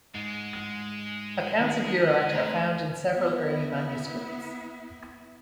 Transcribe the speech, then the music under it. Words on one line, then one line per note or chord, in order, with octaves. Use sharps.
Accounts of Girart are found in several early manuscripts.
G#2 G#3
D#3 D4 E4
A3 B4 C5 A#5
B3 E4